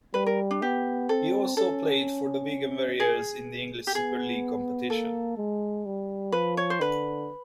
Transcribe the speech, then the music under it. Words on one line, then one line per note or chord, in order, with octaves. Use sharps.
He also played for the Wigan Warriors in the English Super League competition.
G3 B4
A#4
D4
B3 G4
C4 A4
C#4 A4
G#4
G4
B3 G#4
A#3 A4
G#3
G3
F3 B4
C#5
C5
D3 B4